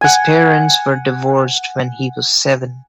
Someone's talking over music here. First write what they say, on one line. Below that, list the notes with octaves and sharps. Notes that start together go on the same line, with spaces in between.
His parents were divorced when he was seven.
F#5 G#5